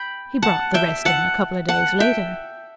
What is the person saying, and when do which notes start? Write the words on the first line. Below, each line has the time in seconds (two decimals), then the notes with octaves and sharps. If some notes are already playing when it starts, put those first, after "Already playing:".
He brought the rest in a couple of days later.
Already playing: G5 B5
0.42 F#5 A5
0.74 E5 G5
1.05 F#5 A5
1.69 F#5 A5
2.00 E5 G5